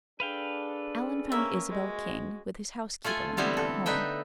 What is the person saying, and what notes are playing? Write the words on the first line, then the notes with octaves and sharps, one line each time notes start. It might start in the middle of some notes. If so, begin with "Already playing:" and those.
Alan found Isabel King with his housekeeper when he got home.
D4 G#4 A4 B4 F5 G5
A#3 C#4 E5
G#3 F#4
A3 F4 A4 G#5
D3 E3 G3 B3 C4 E4
A4
D3 D#4 B4 E5 G5